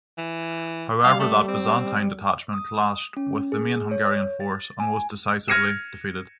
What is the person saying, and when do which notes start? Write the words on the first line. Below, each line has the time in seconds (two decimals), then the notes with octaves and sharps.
However, that Byzantine detachment clashed with the main Hungarian force and was decisively defeated.
0.17 E3
1.04 G3 F5
1.19 A3
1.48 C4
2.53 D#6
3.17 C#4
3.52 G#4
3.91 C#5
4.40 A6
4.80 G#5
5.48 F6 G#6 A#6 C#7 D#7 E7